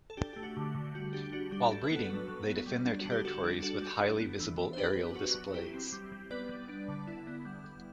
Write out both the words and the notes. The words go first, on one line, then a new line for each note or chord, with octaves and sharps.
While breeding, they defend their territories with highly visible aerial displays.
A4
D4 G4
A3 G4
F#4
D3
D3
G3 F#4
D4 G4
D4 F#4
G3 G4
D4 A4
B4
B3 F#4 A4
F#3
F#3
B3
G3
D4
F#4
D3
G4
G3 F#4 A4
D4
D4 F#4 A4
G3
D4
B3
E3
E3
C5
D4 G4 B4
B3
F#3 F#4
F#3
E4 G4
C4
G3
G3
B3 B4 D5
G3
D4
D3
E4
B3
G3
G3